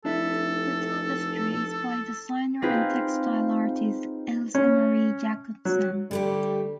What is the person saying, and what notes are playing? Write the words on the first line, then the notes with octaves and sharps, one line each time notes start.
The tapestry is by designer and textile artist, Else Marie Jakobsen.
F1 D4 E4 A4 E5
C4 D#4 F4 G#4 B4 F5
C#4
F#3
D3 G3 A3 G4